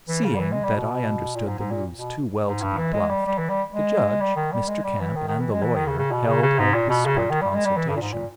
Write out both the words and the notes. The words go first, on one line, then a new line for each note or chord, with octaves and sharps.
Seeing that I understood the moves too well to be bluffed, the judge, Mr. Camp, and the lawyer held a whispered consultation.
E3
C#3
G3
E3
G#3
G3
B2
A#2
G#2
G#2
A#2
B2
G#2
G2
E3
G#3
G3
G3
E3
G3
G#3
G3
D#3
G3
G#3
G3
E3
D#3
D#3
E3
G#3
E3
D#3
C#3
C#3
B2
C#3
C#3
G#2
A#2
B2
C#3
A#2
D#3
G3
G#3
G3
E3
G2
A#2
G#2
A#2